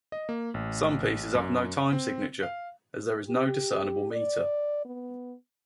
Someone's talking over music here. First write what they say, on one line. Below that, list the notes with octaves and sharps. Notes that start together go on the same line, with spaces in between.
Some pieces have no time signature, as there is no discernible meter.
D#5
A#3
A1
F#2
C4
F5
G4
D5
B3